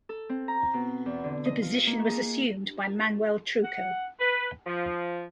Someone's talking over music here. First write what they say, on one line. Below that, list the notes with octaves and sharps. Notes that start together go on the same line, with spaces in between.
The position was assumed by Manuel Trucco.
A4
C4
A#5
B2
E2
D3
D#5
F4
A#3
G#4
F#5
B4
F3